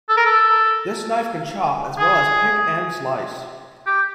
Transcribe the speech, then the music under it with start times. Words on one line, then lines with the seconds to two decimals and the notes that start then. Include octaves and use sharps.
This knife can chop as well as pick and slice.
0.09 A4
0.17 A#4
0.25 A4
1.98 G#4
3.86 G4